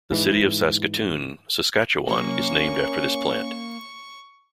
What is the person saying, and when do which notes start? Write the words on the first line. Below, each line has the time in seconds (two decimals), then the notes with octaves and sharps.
The city of Saskatoon, Saskatchewan is named after this plant.
0.11 G#2 E3
2.08 C3 F#3 A#3 C#4 C#6